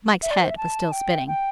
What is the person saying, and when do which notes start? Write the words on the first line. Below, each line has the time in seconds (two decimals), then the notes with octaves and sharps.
Mike's head was still spinning.
0.22 E5
0.31 D5
0.40 C5
0.49 E5
0.57 A5
0.92 G5
1.27 G5